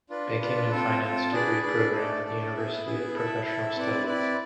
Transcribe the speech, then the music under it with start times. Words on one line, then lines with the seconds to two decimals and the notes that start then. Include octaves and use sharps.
Banking and Finance degree programme at the University of Professional Studies.
0.10 D4 F4 B4
0.40 D4 F4 B4
0.71 C4 F4 A4
1.01 C4 F4 A4
1.32 D4 G#4 B4 D5
1.62 D4 G#4 B4 D5
1.92 A3 D4 A4 D5
2.24 A3 D4 A4 D5
2.54 B3 E4 G#4 B4 E5
2.85 B3 E4 G#4 B4 E5
3.15 E4 A4 E5
3.45 E4 A4 E5
3.76 C4 E4 B4 D5
4.06 C4 E4 B4 D5